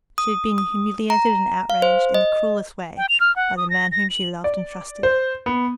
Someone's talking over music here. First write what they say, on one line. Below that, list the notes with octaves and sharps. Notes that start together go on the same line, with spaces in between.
She had been humiliated and outraged in the cruellest way by the man whom she loved and trusted.
D#6
D#6
A#5
F5
C5
D#5
G5
F7
F6
F#5
D#6
A#6
A#6
F#7
D5
C5
B3